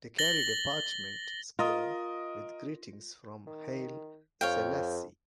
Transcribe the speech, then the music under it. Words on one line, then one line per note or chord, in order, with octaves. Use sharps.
They carried a parchment scroll with greetings from Haile Selassie.
A6 A#6 F#7 G7
F4 A#4 D#5 D#6
D#3
F2 C#5 F5 G5